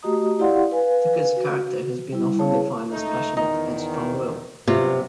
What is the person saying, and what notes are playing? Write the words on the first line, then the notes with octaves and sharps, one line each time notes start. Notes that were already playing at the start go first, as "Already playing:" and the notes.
Tucker's character has been often defined as passionate and strong willed.
A3 F#4 G4 D#5 A#5 D#6
E4 G4 D5 F5 F#5 C6
B4 F5 G#5
F#4
G3 E4
B3 E4 G#4 C#5 F5 A5
C#2 A3 D#4
E2 D#3 D#4
G2 C3 F#3 F4